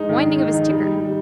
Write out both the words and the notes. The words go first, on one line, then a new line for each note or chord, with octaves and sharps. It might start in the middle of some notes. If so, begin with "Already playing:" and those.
Winding of his ticker.
Already playing: G#3 D#4
D#3
D#3
D#4
D#4
G3
G3
G3